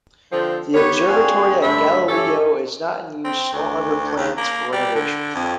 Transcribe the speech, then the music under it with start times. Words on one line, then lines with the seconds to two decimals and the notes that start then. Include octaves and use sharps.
The observatory at Galileo is not in use nor under plans for renovation.
0.32 D3 F3 C4
0.74 D#3 B3 G4 C#5
1.08 A#3 C4 D4 F#4 G#4
1.63 G2 D3 A3 E5 B5
2.09 G2 C#4 G4 A4 C#5 E5
3.24 C4
3.53 D2
4.17 D#2
4.37 A#3
4.72 G3
4.95 D3
5.35 F2